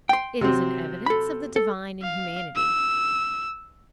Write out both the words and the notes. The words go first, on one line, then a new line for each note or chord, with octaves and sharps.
It is an evidence of the divine in humanity.
G5 C6
C3 F#3 C4
A4 B5
A4
F5
E6